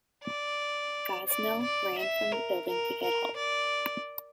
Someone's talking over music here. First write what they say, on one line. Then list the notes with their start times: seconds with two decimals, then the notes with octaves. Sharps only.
Gosnell ran from the building to get help.
0.23 D5
1.28 D5
1.63 D5
1.98 E5
2.32 A#4
2.67 A#4
3.02 A#4
3.36 D5